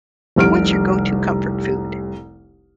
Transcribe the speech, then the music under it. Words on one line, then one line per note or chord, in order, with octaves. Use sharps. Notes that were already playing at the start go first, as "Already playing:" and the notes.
what's your go to comfort food?
F1 C2 F6 D7